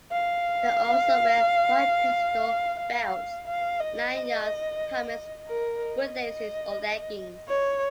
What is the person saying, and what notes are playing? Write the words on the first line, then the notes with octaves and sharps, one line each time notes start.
They also wear white pistol belts, lanyards, helmets, boot laces or leggings.
F5
F5
F5
D#5
A#4
D#5
C#5